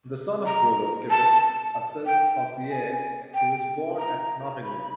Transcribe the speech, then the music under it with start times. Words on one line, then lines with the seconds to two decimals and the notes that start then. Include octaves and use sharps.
The son of Robert Kippis, a silk-hosier, he was born at Nottingham.
0.46 A#5
1.10 A5
2.06 G5
2.71 G#5
3.34 G5
3.98 A#5
4.63 B5